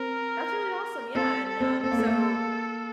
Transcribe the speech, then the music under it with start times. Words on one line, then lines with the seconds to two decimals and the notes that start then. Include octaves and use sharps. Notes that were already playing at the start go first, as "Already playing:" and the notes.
that's really awesome. Yeah, and, um, so,
Already playing: C4 A#4
1.15 C4 A4
1.49 A4
1.60 C4
1.83 C4 A4
1.91 A#3
1.99 A3
2.07 A#3